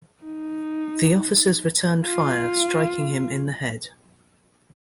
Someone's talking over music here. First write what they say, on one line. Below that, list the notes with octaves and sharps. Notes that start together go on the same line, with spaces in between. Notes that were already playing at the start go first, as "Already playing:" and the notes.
The officers returned fire, striking him in the head.
D#4
F4